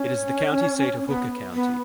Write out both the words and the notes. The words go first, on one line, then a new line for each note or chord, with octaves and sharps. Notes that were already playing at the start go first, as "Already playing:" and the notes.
It is the county seat of Hooker County.
Already playing: C#4
B3
B3